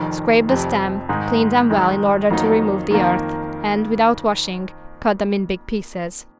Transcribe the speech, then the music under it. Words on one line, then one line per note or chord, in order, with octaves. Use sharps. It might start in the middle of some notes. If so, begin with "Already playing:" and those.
Scrape the stem, clean them well in order to remove the earth and, without washing cut them in big pieces.
Already playing: F1 F2 D#3
F1 F2 C3
G#2 D#3 G#3 D#4
F2 D#3 G#3 D#4
F2 D#3 F#3 A#3 D#4
F2 D#3 A#3